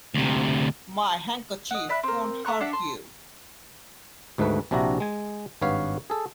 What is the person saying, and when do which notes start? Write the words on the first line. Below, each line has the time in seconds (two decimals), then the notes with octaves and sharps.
My handkerchief won't hurt you.
0.14 D2 C3
1.71 D#5 F#5
1.89 D5 E5 B5 F#6
2.03 C4 A#4
2.45 A3 A#5 C#6 F#6
2.61 D4 D5 E5 F#5
2.73 A5 C6
4.38 D2 G#2 D#3 A3 B4
4.71 A#1 C3 D4 E4 F#4 A#5
5.00 G#3 G#5
5.62 G#1 G2 B4 C#5 F5 F#5
6.10 G#4 A4